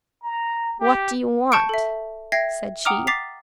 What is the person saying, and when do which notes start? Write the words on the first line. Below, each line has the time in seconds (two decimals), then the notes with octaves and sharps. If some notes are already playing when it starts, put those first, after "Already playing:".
'What do you want?' said she.
0.23 A#5
0.80 G4
1.52 A5 C#6 G6 C#7 D7
1.69 A4 E5
2.32 E5 G5 G#6 A#6 C7
2.85 F#5 G5 A#5 D6 D#6 F6
3.07 D6 A6 B6 C7 F7